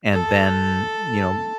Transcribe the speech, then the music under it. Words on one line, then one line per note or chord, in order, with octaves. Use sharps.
and then, you know,
A4